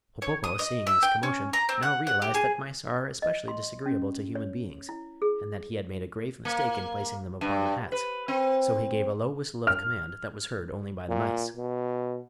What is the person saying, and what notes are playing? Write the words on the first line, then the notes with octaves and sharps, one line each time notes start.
Popopo, seeing this commotion, now realized that mice are especially disagreeable to human beings, and that he had made a grave mistake in placing them upon the hats; so he gave a low whistle of command that was heard only by the mice.
C#5
D#6
D#5
E5
G5
C#4
A#5
C4
F#5
F#5
G4
G#4
D#5
C6
C#4
C#5
E4
G#4
A#3
G2
B4
C4
F6
A#2
B2